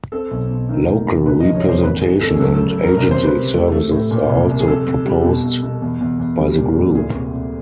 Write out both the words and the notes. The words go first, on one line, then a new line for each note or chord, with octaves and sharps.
Local representation and agency services are also proposed by the group.
C4 A4
B1
B2
D#3
E1
D#3
C2 B4
D#5
F3
C#5
C2 C5
G#1 B4
D#3 G#4
G#1 A4
G#4
F#3 A4
A4
C#3
A4
C#3
A#4
C2 A#4
C5
C3
B4
C3
A3
A3
A2
A#2
C2
C2
G#4
F2 A4
F2
G3
B2
B2
B2
E2
E2
E2
G3
A#2
A#2
D2 G#4
C3
C3